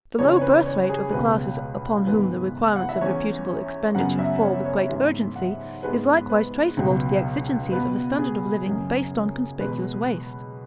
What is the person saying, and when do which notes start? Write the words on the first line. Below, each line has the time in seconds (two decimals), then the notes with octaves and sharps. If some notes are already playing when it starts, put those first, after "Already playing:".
The low birthrate of the classes upon whom the requirements of reputable expenditure fall with great urgency is likewise traceable to the exigencies of a standard of living based on conspicuous waste.
0.19 E2 C#3 E3 C#5
0.36 C#5
0.42 B4
0.66 C#5
0.90 G#4
1.12 C#2 B2 G#3 B3 B4
2.07 G#2 E3 B3 B4
2.76 F#5
2.89 E5
3.01 E2 E3 C#4 C#5
3.95 F#2 C#3 F#3 B3 F#5
4.19 E5
4.42 C#5
4.65 C#5
4.89 G#2 E3 B3 E5
5.36 F#5
5.83 G#2 G#3 B3 B4
6.30 B4
6.77 C#2 B2 F#3
7.72 B2 B3 B4
8.19 G#4
8.66 F#2 C#3 F#3
9.60 E2 B2 G#3 B4